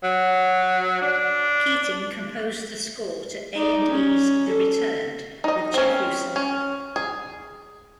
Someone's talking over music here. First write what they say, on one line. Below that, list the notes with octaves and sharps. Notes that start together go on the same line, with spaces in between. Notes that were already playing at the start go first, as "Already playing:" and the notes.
Keating composed the score to A and E's "The Returned" with Jeff Russo.
F#3
D4
D#4 D5
C#4
A4
D#4 D#5
C4 C#4
C#4
G#4